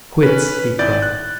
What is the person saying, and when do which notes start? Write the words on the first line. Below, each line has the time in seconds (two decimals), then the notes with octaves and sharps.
"Quits!" he cried.
0.23 C#4 B4
0.79 G#1 E4 D5 G6 A6
1.02 F#6